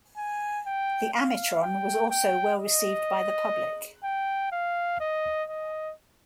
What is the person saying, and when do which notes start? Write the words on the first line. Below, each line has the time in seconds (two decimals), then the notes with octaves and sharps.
The Amitron was also well received by the public.
0.17 G#5
0.67 G5
1.14 F5
1.62 G5
2.11 G5
2.59 D#5
4.04 G5
4.52 F5
5.00 D#5
5.49 D#5